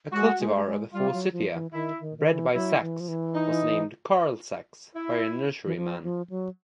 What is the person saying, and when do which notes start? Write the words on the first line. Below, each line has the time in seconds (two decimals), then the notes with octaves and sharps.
A cultivar of "Forsythia" bred by Sax was named 'Karl Sax' by a nurseryman.
0.12 G#3 F#4
0.39 G#3
0.47 A3
0.55 G#3
0.66 G#3
0.93 G3 F4
1.13 F#3
1.32 F3
1.53 E3
1.73 D#3 E4
2.00 D#3
2.18 D#3
2.27 E3
2.54 F#3 E4
2.81 E3
3.00 F3
3.08 E3
3.34 D#4
4.95 E4
5.65 E3
5.77 F3
6.03 F3
6.30 F#3